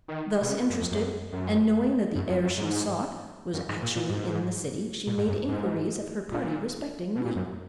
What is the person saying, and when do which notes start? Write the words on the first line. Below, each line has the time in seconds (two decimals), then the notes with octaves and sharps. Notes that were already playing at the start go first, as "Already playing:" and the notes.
Thus interested, and knowing that the heir she sought was actually in the city, she made inquiries of her party respecting me.
0.08 D#3
0.42 B2
0.49 C#3
0.59 A#2
0.70 F#2
0.80 F2
0.91 F#2
1.32 F#2
2.15 F#2
2.29 F2
2.43 F#2
2.57 G#2
3.54 F#2
3.69 G#2
3.82 A#2
3.96 A#2
4.09 G#2
5.07 A#2
5.17 G#2
5.28 F#2
5.48 G#2
6.32 A#2
7.15 B2
7.25 A#2
7.36 F#2